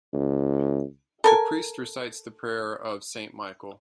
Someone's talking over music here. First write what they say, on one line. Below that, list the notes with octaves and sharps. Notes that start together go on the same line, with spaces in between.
The priest recites the prayer of Saint Michael.
C#2
A4 A#4 G#5